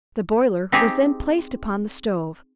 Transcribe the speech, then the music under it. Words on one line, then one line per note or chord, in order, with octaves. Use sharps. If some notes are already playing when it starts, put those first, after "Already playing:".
The boiler was then placed upon the stove.
C4 D#4 G4 G#4